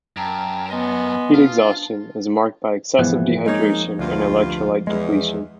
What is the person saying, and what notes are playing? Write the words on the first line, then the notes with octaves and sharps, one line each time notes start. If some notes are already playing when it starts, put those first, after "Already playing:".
Heat exhaustion is marked by excessive dehydration and electrolyte depletion.
F#2 G5 A5 A#5
B3 D#5 G#5 C6
D4 F4
C2 G#2 E3 F3 B3
F2 G#3 A#3 D#4 C#5
D2 G2 F4
E2 G#3